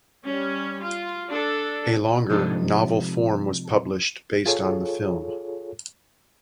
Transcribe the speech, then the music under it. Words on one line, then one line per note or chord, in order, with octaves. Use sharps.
A longer, novel form was published, based on the film.
G3 C#4
F4
D4 A4
C3 F3 G#3 D4 D#4 A4
F4 G#4 A4 C#5